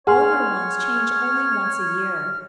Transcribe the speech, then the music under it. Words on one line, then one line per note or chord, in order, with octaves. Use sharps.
Older ones change only once a year.
G#4 C#5 F#5 G#5 C6 F6